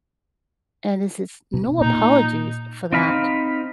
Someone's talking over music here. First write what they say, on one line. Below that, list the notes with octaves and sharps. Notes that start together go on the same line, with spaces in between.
And this is no apologies for that.
B2
A#2 D#4
C4 D#4 F5 B5